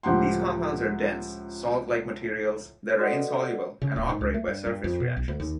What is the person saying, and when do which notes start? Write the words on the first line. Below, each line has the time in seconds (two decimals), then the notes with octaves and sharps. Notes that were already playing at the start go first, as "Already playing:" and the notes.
These compounds are dense, salt-like materials that are insoluble and operate by surface reactions.
0.03 C#2 A2 F3 G4 F#5 C6
2.98 F#4 A4 B4 D5 D#5 F#5
3.82 C#3
3.96 D1
4.09 G#2
4.21 C#2
4.34 A3
4.48 G2
4.66 G2
4.84 F2
5.00 B2
5.16 B1
5.28 D2
5.40 D#2